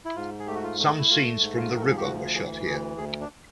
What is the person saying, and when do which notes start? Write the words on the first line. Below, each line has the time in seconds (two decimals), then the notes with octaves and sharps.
Some scenes from "The River" were shot here.
0.05 E4
0.16 G#2 F4
0.39 G#4
0.47 A3 G4
0.55 F#4
0.63 F4
0.79 A3
0.98 E4
1.10 A3 F4
1.42 G#2
1.56 F4
1.72 F3 A#4
1.82 A4
1.89 G#4
1.97 G4
2.04 D2 F#4
2.35 E3 G#4
2.66 D2 G#4
2.97 D2 G#4
3.21 D4